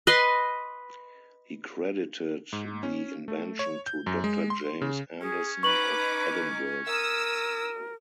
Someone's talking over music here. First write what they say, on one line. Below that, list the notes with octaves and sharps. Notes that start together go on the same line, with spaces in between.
He credited the invention to Doctor James Anderson of Edinburgh.
B4 D#5 C6
G#2
C#4
A3
C#5
G6
F#2
G#3
C6
C#3
C#4 G#4
D#4 B4 C#6 D6 F#7
A#4 D#6 E6